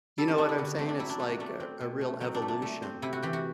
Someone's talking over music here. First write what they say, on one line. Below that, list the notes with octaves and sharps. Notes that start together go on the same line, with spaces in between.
you know what I'm saying? It's like a a real evolution,
G3 A4
C4
B3 D4
E4
D3 F#4
A3 C4
D4
F#3 E4
D4
A3 D4
F#4
A3 D4
C4
B2
A3
F#3 C4
D4
A3
D4
A3
C4
C3 E4
F#4
E3 G4
F#4